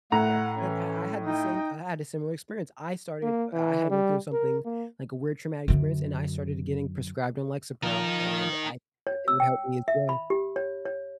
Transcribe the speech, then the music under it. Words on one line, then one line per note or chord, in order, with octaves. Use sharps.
Yeah, and I I had the same I had a similar experience. I started I had went through something, like, a weird traumatic experience, and I started getting prescribed on Lexapro, and I thought it would help me as well,
A2 A3 F#5 A#5
E3 C#4
D#4 D#5 G5
A#3
E3
G3
A#4
A#3
F#2 D3
F3 D#4 A#4
C#5
E6
G5
E5
B5
G4
C#5
C#5